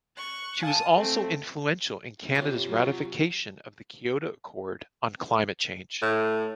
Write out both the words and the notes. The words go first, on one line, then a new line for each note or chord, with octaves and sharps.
She was also influential in Canada's ratification of the Kyoto Accord on Climate Change.
C#6 F#6
F5 G#5 A5 D#6
A3 C4 A4
C3 A#3 F4 G4 C#5
F#3
A2